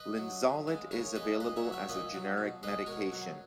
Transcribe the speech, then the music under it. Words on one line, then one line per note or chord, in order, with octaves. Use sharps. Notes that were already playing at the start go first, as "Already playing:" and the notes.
Linezolid is available as a generic medication.
Already playing: B4 D#5
F#3
C#3
E3 G#3
C#3 A#4 C#5
G#3 B4 D#5
A#2 B4 D#5
C#5 E5
F#3
C#5 E5
A#2 B4 D#5
F#3
B2
G#3 B4 D#5
B2 A#4 C#5
F#3